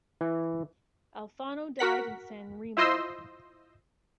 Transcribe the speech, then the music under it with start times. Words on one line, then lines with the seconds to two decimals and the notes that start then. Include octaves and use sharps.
Alfano died in San Remo.
0.21 E3
1.79 F#4 A#4 F#5 B6
2.77 E4 F4 C5 D#5 C6 E6